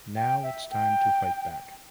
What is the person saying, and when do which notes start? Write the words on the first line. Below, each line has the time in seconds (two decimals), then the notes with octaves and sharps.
Now, it’s time to fight back.
0.16 G5
0.43 E5
0.71 G5